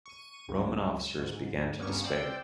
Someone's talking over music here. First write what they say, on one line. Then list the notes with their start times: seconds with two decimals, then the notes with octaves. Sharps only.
Roman officers began to despair.
0.06 C#6 D#7
0.49 C#2 F#3
1.19 G#2
1.79 G2 A#3 B3 C#4 C#6
2.04 C5 D5 G5 E6